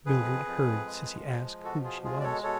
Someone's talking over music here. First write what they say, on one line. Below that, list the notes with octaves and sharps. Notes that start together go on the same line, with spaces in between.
Mildred heard Cissy ask who she was.
F2 G#4 B4
F2
G#3
F3
B2 F#4 A4
F4 G#4
G#3 F4 G#4
D5
A4 C#5
B2 A4 C#5